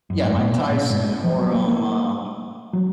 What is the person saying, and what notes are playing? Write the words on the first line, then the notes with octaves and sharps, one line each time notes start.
Yeah, Mike Tyson or, um, um
F#2
G#2
A#2
B2
A#2
G#2
F3
F#3
A#3
A#3
F#3